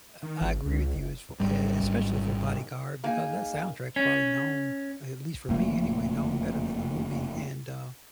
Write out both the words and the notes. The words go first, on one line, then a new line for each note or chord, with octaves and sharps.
a I agree with you as f e es especially for Bodyguard because that soundtrack is probably known, at least for me anyway, known better than the movie and, uh,
D#3
G#1
C#2
F#1
G#1 G#2 F#3 G3
A#3 D#4 G#4 G#5
C#4
F#1 F2 A3 A#3